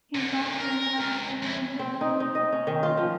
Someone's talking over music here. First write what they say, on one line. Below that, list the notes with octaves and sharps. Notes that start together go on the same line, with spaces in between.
He is also a past-president of the Little Ship Club.
A#2 D3
A#4
C#2
F2 E4
C4
D#4
D#4
D#5
C#4
D#3
F4
F3